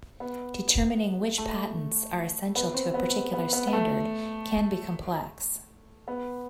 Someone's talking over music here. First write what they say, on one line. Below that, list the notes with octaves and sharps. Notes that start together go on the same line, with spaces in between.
Determining which patents are essential to a particular standard can be complex.
B3
A3
B3
C4
B3
B3
B3
B3
A3
B3